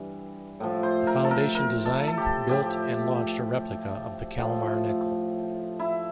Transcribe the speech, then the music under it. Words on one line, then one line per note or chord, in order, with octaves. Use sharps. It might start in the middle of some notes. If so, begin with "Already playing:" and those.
The foundation designed, built, and launched a replica of the "Kalmar Nyckel".
Already playing: G2 E3
A2 F3
C5
A#4
A4
A#4
A#4
A4
A4
G4
A2 F3 G4
A2 F3
E4